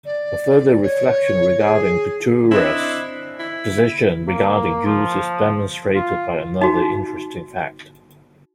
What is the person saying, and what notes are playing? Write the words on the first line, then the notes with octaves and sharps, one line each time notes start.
A further reflection regarding Petliura's position regarding Jews is demonstrated by another interesting fact.
D5
C#5
G#4
C4 D4 E4 D#5
E4
A#3
F3
F4
D#4 F#4